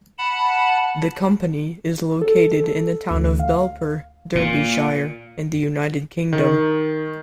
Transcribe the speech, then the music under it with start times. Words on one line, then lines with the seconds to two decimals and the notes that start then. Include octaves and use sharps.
The company is located in the town of Belper, Derbyshire, in the United Kingdom.
0.18 F#5 A5 B5
2.21 A4
2.54 A4
3.10 D2
3.39 F5
4.35 A#2
6.33 D#3